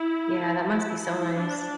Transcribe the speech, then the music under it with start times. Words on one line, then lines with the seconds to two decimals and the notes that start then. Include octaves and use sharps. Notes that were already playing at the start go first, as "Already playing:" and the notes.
Yeah, that must be so nice.
Already playing: E4
0.68 E4
1.02 E4
1.36 D4